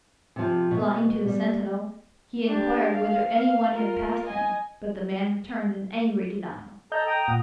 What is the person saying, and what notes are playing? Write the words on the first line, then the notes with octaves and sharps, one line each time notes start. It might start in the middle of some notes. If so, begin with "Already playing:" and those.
Flying to the sentinel, he inquired whether any one had passed him, but the man returned an angry denial.
C3 F3
B2
G3
D4 G4
F5
F5
F4 A#4
D#5 G#5
A4 D#5 A#5 G6
G5 A#5 D#6
A#2 F#5 D#6